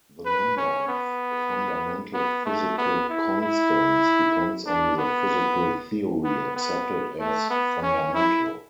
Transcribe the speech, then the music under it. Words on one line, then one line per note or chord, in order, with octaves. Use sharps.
The number of fundamental physical constants depends on the physical theory accepted as "fundamental".
B4
C#4
B3
B3
A3
B3
E4
E4
D4
B3
B3
B3
A3
B3
C#4
E4